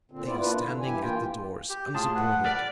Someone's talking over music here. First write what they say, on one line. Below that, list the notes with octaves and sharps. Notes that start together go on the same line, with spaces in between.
They are standing at the doors unsupported.
A#2 D3 C4
B3 E4 F4 D5
A#3 D4 E4 F4 B4
D3
G2 E3 E4 G4 G#5
A#3 F4 G5
G4
A2 F4 G#4 A5
B4 F#5
D5 F6 B6